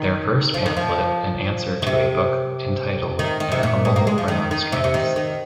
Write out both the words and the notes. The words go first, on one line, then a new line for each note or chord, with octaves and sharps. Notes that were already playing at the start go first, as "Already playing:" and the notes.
Their first pamphlet, An Answer to a booke entituled, An Humble Remonstrance.
Already playing: D#3
F3
D#3
F3
D#3
C3
D#3
D#3
C3
A#2
G#2
A#3
G#3
F3
D#3
D#3
C3
C3
D#3
D#3